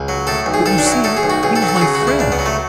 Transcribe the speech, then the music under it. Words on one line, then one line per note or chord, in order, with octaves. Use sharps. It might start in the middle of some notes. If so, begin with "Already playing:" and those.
"But, you see, he was my friend."
Already playing: C#2
F#3
A2 A4
B1
G#4
B1 A4
D4
F#3
E4
A2 A4
G#4
B1
F#4
B1 G#4
A4
F#3
A4
F#4
C#3 G#4
F#4
C#2
E4
C#2 D4
B3
F#3
A3